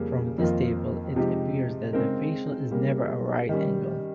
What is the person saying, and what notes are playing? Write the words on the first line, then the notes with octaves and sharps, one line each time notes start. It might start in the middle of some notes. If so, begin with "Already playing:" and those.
From this table it appears that the facial is never a right angle.
Already playing: F2 C#3 G3 A#3
F2 D#3 A#3 F4
C3 F3 G#3 D#4 G4
C#3 G#3 C4 D#4 A#4
C#3 G3 A#3
D#3 G3 C#4